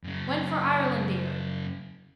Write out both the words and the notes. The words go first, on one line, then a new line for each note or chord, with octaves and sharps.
When for Irelandear.
F#2 C#3